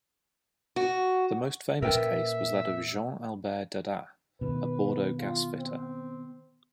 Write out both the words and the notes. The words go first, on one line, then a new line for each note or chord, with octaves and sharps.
The most famous case was that of Jean-Albert Dadas, a Bordeaux gas-fitter.
F#4
A#2 C#4 A#4 B4 E5 G5
B2 D#3 B4
F4
C4